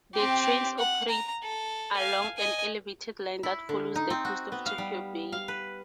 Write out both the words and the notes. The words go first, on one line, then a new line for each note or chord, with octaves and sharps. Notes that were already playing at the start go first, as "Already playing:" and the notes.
The trains operate along an elevated line that follows the coast of Tokyo Bay.
C4 G4
F#5
A#5
A4
F5 G#5
D#5 G#5
E4
D3
D#4
C4
F#4
B3
F5
G3
F5
B4